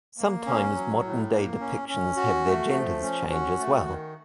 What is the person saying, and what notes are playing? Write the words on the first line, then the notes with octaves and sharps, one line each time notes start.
Sometimes modern day depictions have their genders change as well.
A#3
C#4
F#3
A2
A#3
C#4
C#4
F#4
A3
F3
C#4
F#4
A3
D#3